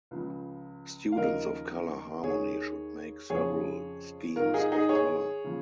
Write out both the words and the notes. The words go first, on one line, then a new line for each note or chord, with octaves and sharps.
Students of color harmony should make several schemes of color.
C#2 C#3 F3
F5
D#2 C#3 F3 A#4 D#5
D#2 D#3 G#4 C#5
F2 C#3 F3 G#4 C#5
G#2 D#3 F4 A#4
D#4 G#4
D#4 G#4
G#4 C#5
C#3 F3